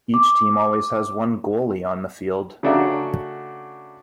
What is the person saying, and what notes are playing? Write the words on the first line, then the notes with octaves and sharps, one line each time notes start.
Each team always has one goalie on the field.
D6
C#3 A3 D4 F#4 E5 A#5